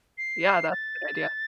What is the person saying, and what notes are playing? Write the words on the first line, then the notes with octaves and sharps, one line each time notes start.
Yeah, that's a good idea.
C7
A6